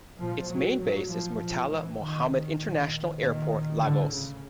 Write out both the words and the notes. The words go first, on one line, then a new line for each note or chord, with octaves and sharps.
Its main base is Murtala Mohammed International Airport, Lagos.
A#2 F3
F#3
A2 F#3
F3
A#2
E3
A#2 D#3
D#3
A#2
A#2 D#3
A2 D3
C#3